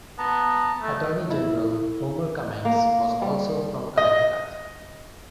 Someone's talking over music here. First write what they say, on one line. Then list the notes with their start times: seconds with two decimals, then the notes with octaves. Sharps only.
Attorney General Homer Cummings was also from Connecticut.
0.19 B3 A5 A#5
0.82 A3
1.30 E4
2.65 A#3
3.22 G3
3.98 D#5